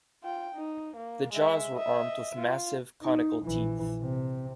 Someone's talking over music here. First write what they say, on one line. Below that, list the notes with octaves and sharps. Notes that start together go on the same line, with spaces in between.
The jaws were armed with massive conical teeth.
F4 G5
D#4
A#3
G#3 E5
D#5 E5
F4
D#4
A#1 E3
C3